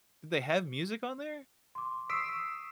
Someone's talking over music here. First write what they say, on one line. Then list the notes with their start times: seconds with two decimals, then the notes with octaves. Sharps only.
Did they have music on there?
1.75 C6 D6
2.10 C#6 D#6 E6 B6 C7 D7